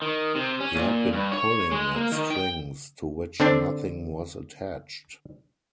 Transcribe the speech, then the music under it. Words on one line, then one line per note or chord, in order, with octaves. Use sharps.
He had been pulling at strings to which nothing was attached.
D#3
C3
C#4
A#2
G2
C#5
G#3
A#3
D#3
G5
D3 C4 D4